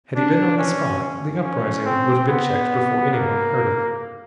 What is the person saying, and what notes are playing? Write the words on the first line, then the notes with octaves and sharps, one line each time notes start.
Had he been on the spot, the uprising would have been checked before any one heard of it.
D4
C#4
C#4
C4
B3
A#3